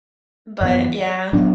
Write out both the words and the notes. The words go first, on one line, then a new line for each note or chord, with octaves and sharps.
But yeah.
F#2 E3 B3
A2 F#3 B3 D4